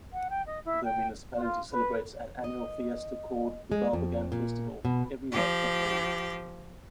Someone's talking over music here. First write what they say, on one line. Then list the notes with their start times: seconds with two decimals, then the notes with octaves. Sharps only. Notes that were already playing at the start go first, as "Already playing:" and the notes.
The municipality celebrates an annual fiesta called "The Balbagan Festival" every month of May.
0.13 F#5
0.30 G5
0.47 D#5
0.65 E4
0.84 G5
1.39 F4
1.73 B4
2.44 D#5
3.72 G#3
3.93 F2
4.32 A#2
4.85 B2
5.32 F3 G4